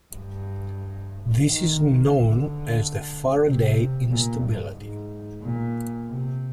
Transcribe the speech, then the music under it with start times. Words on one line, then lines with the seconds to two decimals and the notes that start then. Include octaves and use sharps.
This is known as the Faraday instability.
0.14 G2
1.46 D#3
2.13 D3
3.45 C3
4.10 A#2
4.44 G2
4.77 G#2
5.43 A#2
6.08 C3